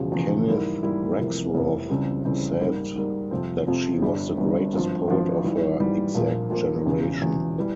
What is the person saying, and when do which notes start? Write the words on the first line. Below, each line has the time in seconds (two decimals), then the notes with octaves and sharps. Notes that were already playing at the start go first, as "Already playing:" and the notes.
Kenneth Rexroth said that she was the greatest poet of her "exact generation".
Already playing: E1 E2 C#3 F3
0.12 E1 E2 C#3 F3
0.48 G#2 G3 A#3 E4
0.83 G#2 G3 A#3 E4
1.19 F1 F2 C3 E3 A#3
1.54 F1 F2 C3 E3 A#3
1.90 C#2 C#3 E3 G3 C4
2.25 C#2 C#3 E3 G3 C4
2.60 G#2 G3 A#3
2.95 G#2 G3 A#3
3.31 F2 C3 F3 C4
3.67 F2 C3 F3 C4
4.02 G1 G2 G3
4.37 G1 G2 G3
4.73 G#1 G2 F3
5.08 G#1 G2 F3
5.44 G#2 E3 G3
5.80 G#2 E3 G3
6.15 A#1 A#2 F3 A#3
6.50 A#1 A#2 F3 A#3
6.86 E1 E2 C#3
7.22 E1 E2 C#3
7.58 E3 G3